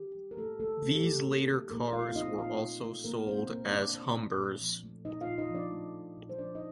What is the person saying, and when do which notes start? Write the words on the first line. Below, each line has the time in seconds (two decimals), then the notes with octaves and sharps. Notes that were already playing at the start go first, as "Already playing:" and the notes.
These later cars were also sold as Humbers.
Already playing: D#3 G4
0.15 G3
0.31 A#4
0.37 A3 A#3 A4
0.60 D#3 A3 A4
0.82 D#3 A3 A4
0.95 G4
1.04 G3 A3 A4
1.27 A#3
1.50 D#3
1.71 A#2 A#3 A#4
1.93 A3 F4 F5
2.09 F5
2.16 C4 D#4 D#5
2.38 A#2 F4 F5
2.60 A#2
2.82 A3
3.04 A#3 C4 A#4
3.27 A#2 C4 C5
3.49 A#2 A#3 A#4
3.71 A3 D4 D5
3.94 C4
4.16 A#2
4.38 A#2
4.61 F3
4.83 A3
5.05 A#2 D#4 D#5
5.21 F4 F5
5.27 A#2
5.38 D#4 D#5
5.49 F3
5.55 D4 D5
5.71 A3
5.94 A#2
6.17 A#2
6.29 C5
6.38 F3 D4 D5
6.55 D#4 D#5